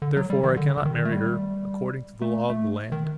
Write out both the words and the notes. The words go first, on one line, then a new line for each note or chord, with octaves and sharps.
Therefore I cannot marry her, according to the law of the land.
D3
F#3
G3
D#3
D3
D3
D#3
A3
G3
A3
A3
D#3